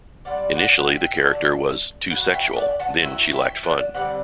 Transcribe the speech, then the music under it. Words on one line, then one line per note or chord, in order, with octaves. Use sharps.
Initially the character was "too sexual," then she lacked fun.
C3 G3 D4 D5 F#5
D5 F#5
F#5
E5 G5
D3 F#3 A3 D4
B2 F#3 F#5
E5 G5
D5 F#5
F#5 A5
F#3 C4 E4 E5 G5
E5 G5
D5 F#5
D3 G3 C4 D5 F#5